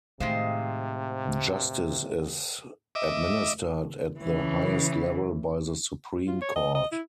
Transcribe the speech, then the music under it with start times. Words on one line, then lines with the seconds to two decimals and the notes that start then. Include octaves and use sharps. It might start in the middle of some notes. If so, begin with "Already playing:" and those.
Justice is administered at the highest level by the Supreme Court.
0.20 A2 C3 D#3 G#3 F4 C5
2.95 D#5 E5 D6
4.20 C#3 E3
6.27 F4
6.42 C#5
6.56 D#5
6.75 D#5
6.92 E4